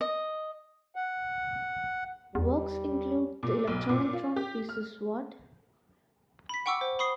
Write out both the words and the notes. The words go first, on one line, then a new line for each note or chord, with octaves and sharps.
Works include the electronic drone pieces What??
D#5
F#5
E2 G3
A#2
B1
A#2
F4
G4
F6
B5 B6
F#5 G5 C#6 D6 E6
C5
B5 C#6 D#6 C7 G7